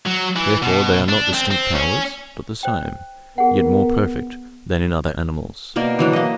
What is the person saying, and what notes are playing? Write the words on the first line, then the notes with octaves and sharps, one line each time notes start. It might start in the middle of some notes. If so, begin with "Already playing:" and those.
Therefore they are not distinct powers, but the same, yet more perfect than in other animals.
F#3
E3
B2
D4
C4
C4
C#4
C5 G5
B3 G#4 A#4 F#5
B2 A#3 A#4 D5
E3 F#3 D4
A#3 D#5